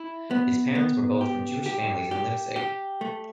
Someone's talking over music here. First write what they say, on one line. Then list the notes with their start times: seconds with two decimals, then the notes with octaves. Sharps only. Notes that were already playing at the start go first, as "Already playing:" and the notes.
His parents were both from Jewish families in Leipzig.
Already playing: E4
0.31 B3
0.75 B3
1.21 G4
1.66 G4
2.11 G4
2.56 G4
3.01 A3